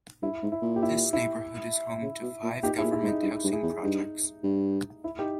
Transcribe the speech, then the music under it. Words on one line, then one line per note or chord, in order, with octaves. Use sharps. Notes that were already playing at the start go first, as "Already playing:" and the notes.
This neighborhood is home to five government housing projects.
G2 E4
G#2
E4
A#2
G4
E4
E4
C#3
B2
A#2
A#2 D#4 G4
E4 G#4
A#2
E4
G#2
D#4
G2 E4
G2
E4 G#4
E2
G2 D#4
G2
E4
D#4 G4